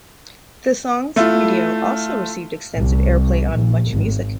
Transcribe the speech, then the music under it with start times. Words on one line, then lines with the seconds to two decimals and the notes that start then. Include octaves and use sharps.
The song's video also received extensive airplay on MuchMusic.
1.16 A3 E4 F4
2.74 C2
3.52 A#1
3.88 G#1